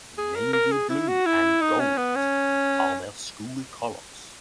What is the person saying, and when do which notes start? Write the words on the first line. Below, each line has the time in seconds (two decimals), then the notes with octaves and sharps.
Navy blue and gold are their school colors.
0.18 G#4
0.36 A#4
0.53 A#4
0.72 G#4
0.90 E4
1.08 F#4
1.26 E4
1.61 D#4
1.80 C#4
1.98 B3
2.16 C#4